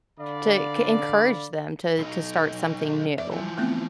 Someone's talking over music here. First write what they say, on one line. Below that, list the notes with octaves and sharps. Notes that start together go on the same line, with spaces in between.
to c encourage them to to start something new,
D3 D5 F5 B5
B1 D#4
F#2 D5 E5
E3 F3
A3 B3 C4